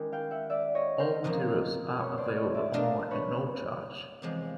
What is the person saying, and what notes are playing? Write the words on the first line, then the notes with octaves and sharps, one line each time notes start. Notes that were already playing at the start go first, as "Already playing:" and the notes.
All materials are available online at no charge.
Already playing: D#3 G#3 C#4 E4 G4
F5 G5
E5 F#5
D5 E5
C#5 D#5
A#4 C5
F2 C#3 F3 A#3 D#4
B4 C#5
C5 D5
C#5 D#5
D5 E5
A3 D4 F4 A#4 D#5
B4 C#5
E2 C3 F3 G#3